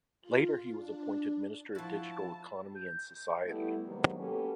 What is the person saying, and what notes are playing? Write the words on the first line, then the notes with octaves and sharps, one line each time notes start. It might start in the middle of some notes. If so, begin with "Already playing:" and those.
Later he was appointed Minister of Digital Economy and Society.
F4
D4
F3 E4 F#4 A5
G6
G3 A3 B3 E4
C3 D#3 F#3 G#3 A#3 B3
A#3 C#4 F#4 G4 A4 B4